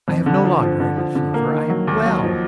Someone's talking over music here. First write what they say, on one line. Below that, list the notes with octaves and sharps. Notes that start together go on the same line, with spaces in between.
I have no longer any fever; I am well.
F2
D3
F3
F3
D3
F3
D3
A#3
D#3
F#3
D#2
F#3
F3